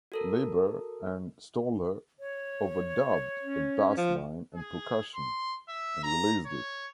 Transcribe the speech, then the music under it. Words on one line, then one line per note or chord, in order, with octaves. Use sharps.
Leiber and Stoller overdubbed a bassline and percussion, and released it.
F#4 A4 A#4
C#5
C#4
F3
G#4
C6
E5
A#5
C#5